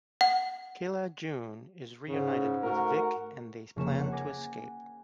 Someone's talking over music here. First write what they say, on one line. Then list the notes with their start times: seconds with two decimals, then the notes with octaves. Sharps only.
Quilla June is reunited with Vic and they plan to escape.
0.21 F#5
2.09 G#2 C#3
2.63 A3 F#4 A#4
3.76 F1 C#3 A#3 C#6 B6 E7
3.97 C5 F#5
4.11 F#5 G#5 D6 A#6 B6 D7